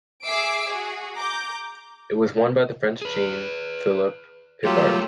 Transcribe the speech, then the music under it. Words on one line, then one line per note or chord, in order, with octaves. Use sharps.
It was won by the French Jean-Philippe Pipart.
G#4 E5 D6 E6 C7 D7
F#4 G#4
A#5 D6 G6
G#4 B4
F#3 G3 A3 A#3 F4 G4